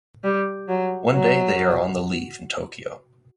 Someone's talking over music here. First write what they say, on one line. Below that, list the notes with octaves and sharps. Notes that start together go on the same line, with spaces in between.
One day they are on the leave in Tokyo.
G3
F#3
F#3